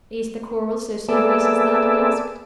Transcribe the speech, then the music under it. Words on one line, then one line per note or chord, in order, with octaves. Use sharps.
"Is the quarrel so serious as that?" he asked.
A#3 B3 G#4 A4 D5 E5